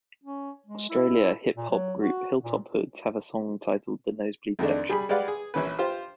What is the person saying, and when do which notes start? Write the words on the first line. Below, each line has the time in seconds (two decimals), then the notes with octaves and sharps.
Australia hip hop group Hilltop Hoods have a song titled "The Nosebleed Section".
0.24 C#4
0.66 G#3
0.89 E4
1.56 A#2
1.70 F#3
2.00 F#4
2.43 A#2
4.59 F2 D#3 G#3 A3 D4
4.89 G3 G#4 B5
5.09 G#3 G4 B4 D5 F5 F#5
5.28 G#4
5.54 A#1 E3 C#4 B4
5.79 F4 G4 C5